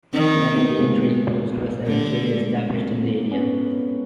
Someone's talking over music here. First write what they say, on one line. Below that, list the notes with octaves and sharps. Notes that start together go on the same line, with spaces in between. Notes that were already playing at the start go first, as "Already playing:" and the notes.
An Indian trading post was eventually established in the area.
D#3 C4 D4
A#3 C4
A3 B3
G#3 A#3
D3 G3 A3
G#3 A#3
A#3 C4
A#3 C4
B3 C#4